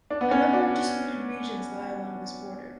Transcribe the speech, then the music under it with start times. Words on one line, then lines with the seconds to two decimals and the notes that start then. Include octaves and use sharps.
A number of disputed regions lie along this border.
0.10 D4
0.21 B3
0.31 C#4
0.53 D4
0.75 F#4